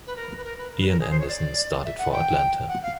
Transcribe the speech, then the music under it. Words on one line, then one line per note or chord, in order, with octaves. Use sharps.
Ian Anderson started for Atlanta.
B4
A#4
B4
A#4
B4
A#4
B4
A#4
G#4
C5
C#5
D5
E5
F#5
G5
F#5
F5